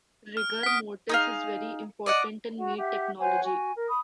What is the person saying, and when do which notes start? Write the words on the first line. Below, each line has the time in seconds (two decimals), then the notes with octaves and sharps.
Rigor mortis is very important in meat technology.
0.37 F6
0.63 F#5 D#6 B6 D7
1.09 D#4 G#4 F5
2.06 D5 D#5 F#5
2.58 F#4 F#5
2.78 G4 E5 F#5
3.19 C5 C#5 F#5 G#5
3.43 F#4 G#5
3.75 A#4
3.88 B5 D#6